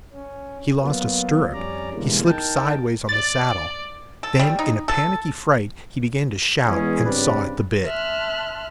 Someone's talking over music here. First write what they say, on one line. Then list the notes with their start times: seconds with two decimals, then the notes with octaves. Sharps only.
He lost a stirrup, he slipped sidewise on the saddle; then in a panicky fright he began to shout and saw at the bit.
0.13 C#4
0.81 F#3 A#3 B3 F4
1.53 F2 G3 C#4 D5 A#5
1.94 B2 D3 E3 G3 G#3 A#3
2.25 D#4 A#4 G5 A5
3.09 D5 A6
4.23 A4
4.39 G3
4.59 D#4
4.88 A4
6.66 E2 G#3 B3 C#4 G#4
7.05 G2 C#3 C4 B4 D5
7.85 E5 A5 C6 F6 F#6